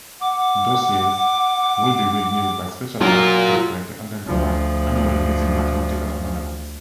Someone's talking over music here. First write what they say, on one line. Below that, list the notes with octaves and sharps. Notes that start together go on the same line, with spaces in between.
Dossiers would be reviewed by specialized software to identify anomalies using 'mathematical analysis.
F#5 D6
F#3 F4 A#4
D2 F3